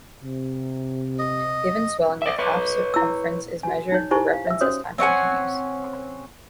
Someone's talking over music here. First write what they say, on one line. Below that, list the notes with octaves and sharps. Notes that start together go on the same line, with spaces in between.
Given swelling, the calf circumference is measured for reference as time continues.
C3
D#5
D5 E5
B4 C#5
E4 E6
F#4 G#5
D#4 C#5
D#4 E4 G4 C5 G#5 C#6
F5
E5 E6
C#4 F#4 C5 C#5 D#6
C4 C#4 F#5 G#5